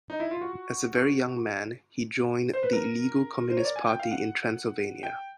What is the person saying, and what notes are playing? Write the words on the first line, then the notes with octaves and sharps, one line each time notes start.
As a very young man, he joined the illegal Communist Party in Transylvania.
D#4
E4
F4
F#4
C5
B4
A#4
C5
C#5
D5
G#5
G5
F5
F#5
G5